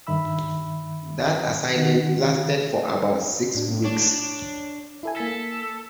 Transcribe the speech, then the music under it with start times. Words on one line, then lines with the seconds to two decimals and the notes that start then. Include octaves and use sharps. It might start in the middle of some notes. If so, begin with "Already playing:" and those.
That assignment lasted for about six weeks.
0.07 G2 D#3 E5 B5 E6
1.76 D#3 F#5
3.55 A2 D4
3.85 D4 C#5
5.03 E4 A4 G#5
5.16 A#3 A4 B6